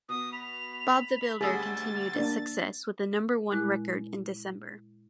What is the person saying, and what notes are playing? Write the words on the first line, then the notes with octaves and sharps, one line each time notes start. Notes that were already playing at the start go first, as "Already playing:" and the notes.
Bob the Builder continued its success with the number one record in December.
B2 D#6
B5 F7
D2 G3 G#4 E6 A6
A#3 D4
A#2 G#3 E4 F#6